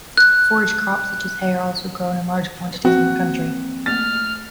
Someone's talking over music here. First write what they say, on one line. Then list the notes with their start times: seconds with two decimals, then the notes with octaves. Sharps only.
Forage crops such as hay are also grown in large quantities in the county.
0.17 F#6
2.85 F3 A#3 C4 F#4
3.86 A3 A#3 F6 A6